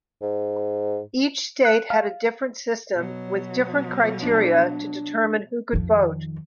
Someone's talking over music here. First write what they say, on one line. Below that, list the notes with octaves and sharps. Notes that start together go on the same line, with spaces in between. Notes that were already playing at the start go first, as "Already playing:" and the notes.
Each state had a different system, with different criteria to determine who could vote.
G#2
F#6
F5
B2 F#3
D4
F2 D#3